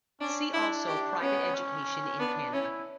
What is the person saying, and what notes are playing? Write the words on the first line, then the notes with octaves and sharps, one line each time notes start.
See also Private Education in Canada.
C#4 D4
D4 E4
G4
B3 C#4
C#4
B3 D4
C#4 E4